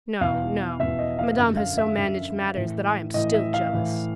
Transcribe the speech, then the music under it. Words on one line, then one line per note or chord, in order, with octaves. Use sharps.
"No, no. Madame has so managed matters, that I am still jealous."
E2 B2 F5
E2 B2 E5
D#5
F5
F#2 D3
F5
E5
F#2 D3
A2 E3
A2 E3 D#5
E5
F5
A2 E3